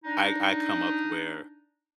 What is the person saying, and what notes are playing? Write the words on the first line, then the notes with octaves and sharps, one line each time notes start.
I I come up where
D4 D#4